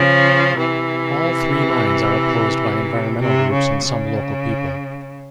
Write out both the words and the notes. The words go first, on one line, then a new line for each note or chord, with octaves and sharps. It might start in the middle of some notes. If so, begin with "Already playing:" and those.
All three mines are opposed by environmental groups and some local people.
Already playing: C#3 F3
C3 E3
C3
C#3
C#3